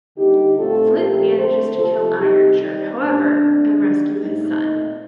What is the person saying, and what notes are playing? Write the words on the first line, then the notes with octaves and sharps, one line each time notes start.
Flint manages to kill Ironshirt, however, and rescue his son.
D3 G3 A#3 D#4 G4
A#2 A3 C4 F4 A4
A#2 F3 A3 C4 G4 A#4
D3 A3 C4 A4 C5
C3 F3 A3 F4 A4
C3 G3 C4 D#4 G4
D#3 G3 C4 D#4
A#2 G3 A#3 D4
D3 A3 C4
D#3 G3 A#3
A2 A3 C4 D#4
A#2 A3 C4